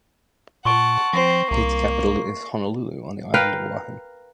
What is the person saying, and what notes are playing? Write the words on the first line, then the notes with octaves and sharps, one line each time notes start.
Its capital is Honolulu on the island of Oahu.
A#2 F#5 A5 C6 C#6 D7
F3 C4 A#6 C7
C2 A#3
A#4 B4 F5 G5